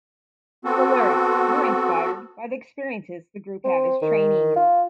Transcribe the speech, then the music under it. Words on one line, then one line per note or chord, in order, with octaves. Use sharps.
The lyrics were inspired by the experiences the group had as trainees.
B3 C4 F#4 A4
C4
D#3
F4